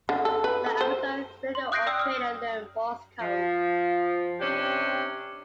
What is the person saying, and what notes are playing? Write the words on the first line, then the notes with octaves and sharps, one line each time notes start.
The amateur radio operator learned Morse Code.
D3
A4
B4
A4
C5
C6
D#6 F#6 G6 A#6 C7 D7
D5 G5 D#6 E6
D#6 F6
F3
C3 C#4 D4 G4